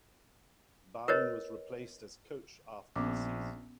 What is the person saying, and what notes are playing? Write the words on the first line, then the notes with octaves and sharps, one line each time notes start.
Baun was replaced as coach after the season.
A#4 B4 C#5 D#5
A#1 B3 C#4 D6